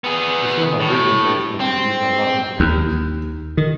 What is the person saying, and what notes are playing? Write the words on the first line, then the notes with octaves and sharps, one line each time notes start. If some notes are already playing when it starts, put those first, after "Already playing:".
The film has rating based on reviews on Rotten Tomatoes.
B3 G#4
A2
C4
D#2
D#3